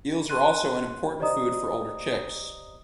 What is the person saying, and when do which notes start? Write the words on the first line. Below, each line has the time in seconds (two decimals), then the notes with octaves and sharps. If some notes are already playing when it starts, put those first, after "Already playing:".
Eels are also an important food for older chicks.
0.28 C6 F#6 D#7
1.19 G4 C5 D5 D#5 A#5 D#6